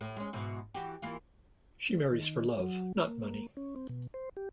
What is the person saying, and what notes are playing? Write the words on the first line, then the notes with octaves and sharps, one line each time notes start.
She marries for love, not money.
A2
G#3 C#4
G#2 B2 E3
E3 F#4 G4
E3 A#3 F4
D#3
F#3
A#3
C#4
C4
B2
C5
G4